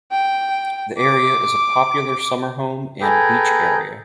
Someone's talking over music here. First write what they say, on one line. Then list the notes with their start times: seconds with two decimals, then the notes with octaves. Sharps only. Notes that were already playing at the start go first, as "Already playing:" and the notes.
The area is a popular summer home and beach area.
0.12 G5
0.98 D6
3.02 G#4 A4 B4 G5 G#5 A#5